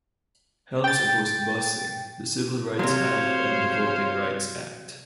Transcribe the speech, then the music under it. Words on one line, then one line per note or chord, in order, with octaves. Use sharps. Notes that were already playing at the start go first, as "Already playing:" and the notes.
Helms opposed busing, the Civil Rights Act and the Voting Rights Act.
G5 A6
C3 F#3 C5 C#5 F5